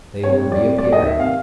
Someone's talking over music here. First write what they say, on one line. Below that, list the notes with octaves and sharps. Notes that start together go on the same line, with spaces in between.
They were reappearing.
C3 C#5
G3
D5
C3
G3 D5
D#3 D#5
E5
C3 F5